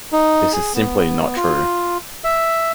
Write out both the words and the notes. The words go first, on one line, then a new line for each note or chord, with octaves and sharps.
This is simply not true.
D#4
G#4
B3
F4
E5